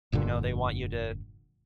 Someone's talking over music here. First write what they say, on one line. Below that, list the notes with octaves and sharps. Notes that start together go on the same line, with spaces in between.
you know, they want you to
F1 G2 A#2 D3